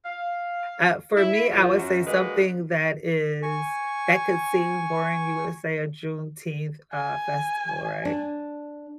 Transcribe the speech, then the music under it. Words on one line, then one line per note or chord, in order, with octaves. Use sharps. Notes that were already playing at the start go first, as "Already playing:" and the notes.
uh for me, I would say something that is that could seem boring you would say a Juneteenth, uh, festival, right?
F5
E4 E5
E2 A#2 F3
F#2 F#4
D3 F#3 G#3 A#3 F#4 B4
G#5 C#6
G#5
D4